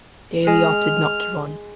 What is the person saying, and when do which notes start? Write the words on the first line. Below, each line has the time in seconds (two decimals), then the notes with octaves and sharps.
Daley opted not to run.
0.47 G#3 F6